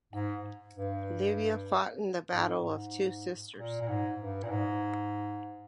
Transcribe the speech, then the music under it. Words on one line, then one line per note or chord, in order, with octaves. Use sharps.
Leiva fought in the Battle of Two Sisters.
G#2
G2
G#2
G#2
A#2
A#2
G#2
G2
A#2
G#2